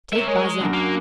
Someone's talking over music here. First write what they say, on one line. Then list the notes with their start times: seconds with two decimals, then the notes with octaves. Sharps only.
"Take Bazin."
0.12 C4 A#4 C#5 E5
0.27 G#3
0.60 F#2 D4 F#4 A#4
0.74 A#3